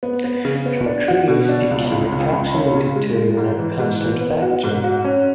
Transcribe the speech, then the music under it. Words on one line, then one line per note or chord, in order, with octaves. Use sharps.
For trees, it can be approximated to within a constant factor.
B3
B3
C#3
B3
D4
F#4
B2
D4
C#2
C#2
C#2
C#2
C#4
C#3
G#3
G#3
G#2
E3
G#2
E3
B3
F#4
G#2
F#4
C#4